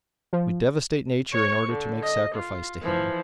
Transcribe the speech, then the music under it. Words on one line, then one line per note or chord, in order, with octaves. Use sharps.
We devastate nature in order to make sacrifice to him.
F3
C#5 C#6
D3
D#5
F4
E3 F3